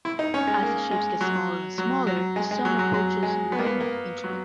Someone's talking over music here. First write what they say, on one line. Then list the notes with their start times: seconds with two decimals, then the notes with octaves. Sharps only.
As the shapes get smaller and smaller, the sum approaches the Riemann integral.
0.05 E4
0.19 D#4
0.34 C#4
0.47 G#3
0.63 A#3
0.91 G#3
1.21 F#3
1.78 F#3
2.07 F#3
2.36 G#3
2.51 G#3
2.65 F#3
2.79 F#3
2.94 F#3
3.23 G#3
3.52 B3
3.59 A#3
3.66 B3
3.81 A#3
4.24 F#3